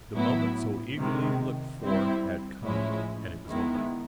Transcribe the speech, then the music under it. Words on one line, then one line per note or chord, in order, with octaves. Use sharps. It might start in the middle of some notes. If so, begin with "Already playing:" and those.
The moment so eagerly looked for had come, and it was over.
A2 F#3 B3 E4
C3 D#3 G#3
G3 C4 E4
A2 F3 G#3 C#4 E4
D#3 G#3 B3 E4